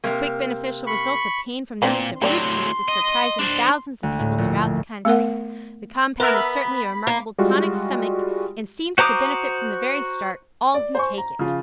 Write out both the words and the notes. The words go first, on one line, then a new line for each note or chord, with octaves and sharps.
The quick, beneficial results obtained from the use of ROOT JUICE is surprising thousands of people throughout the country. The compound is certainly a remarkable TONIC STOMACHIC and seems to benefit from the very start, all who take it.
C3 A#3
B5 C#6
A#2 E3 C4 D4
A2 F#3 G4 D5 C6
D#5
D4 C5
D2
A2
A#1
A3 B3 A#4 F#5
B3 A#4 B4 E5
B5
A#3
G3 G#3 F4 F#4
F#4 C5 A#5 D6 D#6
D5
C5 G#5 C#6
A#5
C#3 F3 F4